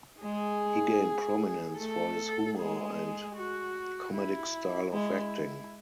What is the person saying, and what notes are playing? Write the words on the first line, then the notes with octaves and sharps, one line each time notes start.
He gained prominence for his humor and comedic style of acting.
G#3 G#4
A3 A4
G#3 G#4
F#4
E4
G#3 E4